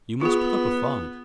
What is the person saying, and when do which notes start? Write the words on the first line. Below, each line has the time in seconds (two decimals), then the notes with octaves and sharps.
You must put up a fight.
0.21 B3 F4 G#4